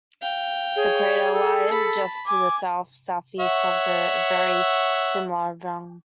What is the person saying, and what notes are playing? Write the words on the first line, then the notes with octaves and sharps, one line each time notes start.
The crater lies just to the south-southeast of the very similar Runge.
F5 G5
G#4 C#5
A4
A5 B5
G#5 D6
C#5 E5 F#5